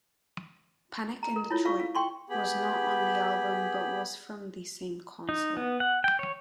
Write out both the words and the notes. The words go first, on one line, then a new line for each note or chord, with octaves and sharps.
"Panic in Detroit" was not on the album but was from the same concert.
A#5
A#4
E4 F4 C#5
F4 F5 C#6
F5
G5 C6 C#6
B3 G4 G#4 B5
D#4
B3
F#5
G5
C#5